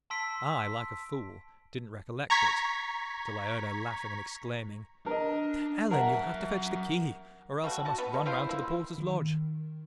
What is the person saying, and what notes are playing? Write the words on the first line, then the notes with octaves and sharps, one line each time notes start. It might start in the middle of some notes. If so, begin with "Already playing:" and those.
I, like a fool, didn't recollect that, till I heard her laughing and exclaiming--'Ellen! you'll have to fetch the key, or else I must run round to the porter's lodge.
A5 C6 E6 B6 D7
A#5 C#6 G#6 B6
D4 A#4 D#5
F#3 A#4 E5 F#5 A#5
F3 G3 A3 F#4
F#4 A5
B3
B2
E4 F4 C5
A#3 E4
D#3